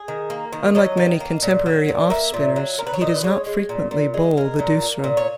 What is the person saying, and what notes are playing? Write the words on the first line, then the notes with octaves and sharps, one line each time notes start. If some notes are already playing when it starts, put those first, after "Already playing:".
Unlike many contemporary off-spinners he does not frequently bowl the doosra.
Already playing: G#4
D#3
A#3
D#3
F#3 D#5
D#3
A#3
A#2
F#3
A#2
A#3 E5
A#2
F#3
A#2 A#4
B4
C#5
A#2 D#5
B4
G#3 C#5
G#3
A#2
A#2
G#3
G#3 A#4
A#2
A#3
A#2
C#5